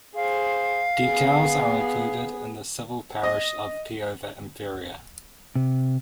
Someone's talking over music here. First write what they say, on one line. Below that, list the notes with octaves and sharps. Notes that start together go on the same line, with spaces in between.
Details are included in the civil parish of Peover Inferior.
G#4 C5 F5
B3 G#4
D#5
C3